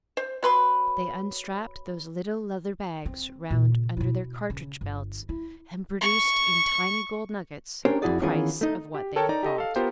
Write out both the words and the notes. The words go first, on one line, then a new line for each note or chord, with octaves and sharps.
They unstrapped those little leather bags round under their cartridge belts and produced in tiny gold nuggets the price of what they had bought.
C5
F#3 B4 C6
C4
A#2 C#3
B2 E4
C#3
G1
E4
C#6
C#4 D4 G4 A#4 C5 C#5
F2 B2 E4 F#4 G#4 D5
D#3 E3 B3 C#4 F4 G#4
A3 D#4
G4
A4 A#4 C#5 G5 A5
D#4 D5 A#5
G4 A4 D#5
A4 F5
B3 F4 G4 A#4 C5